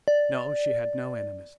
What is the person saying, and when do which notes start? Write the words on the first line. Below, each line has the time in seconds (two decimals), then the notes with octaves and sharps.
No, she had no enemies.
0.08 D5